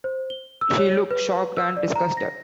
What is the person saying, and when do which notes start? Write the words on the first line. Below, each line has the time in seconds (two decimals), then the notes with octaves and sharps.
She looks shocked and disgusted.
0.04 C5
0.30 G7
0.61 E6
0.78 C#5
1.11 B4
1.57 E6
1.77 D5
1.96 A#5
2.17 A#6